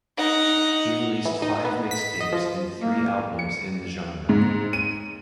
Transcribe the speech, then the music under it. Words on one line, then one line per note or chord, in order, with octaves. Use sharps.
He released five mixtapes and three albums in the genre.
D#4 F#5
E3
D#4
B3
B6
D#5
F3
A#3
C#7
G#2
D#7